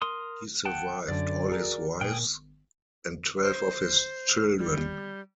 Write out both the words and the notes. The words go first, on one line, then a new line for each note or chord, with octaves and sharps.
He survived all his wives and twelve of his children.
A#4 C6 D#6
F#5 G5 A5
F#2 D3 D5
F#4 G#4 A#4
A#2 G#4 G5
C5
G3